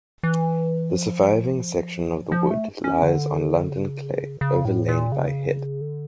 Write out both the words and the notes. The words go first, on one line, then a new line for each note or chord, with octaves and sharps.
The surviving section of the wood lies on London Clay overlain by head.
E3
F3
F3
A3
C#4
D3
C#3
C#3
A2
A#2
C#3
D3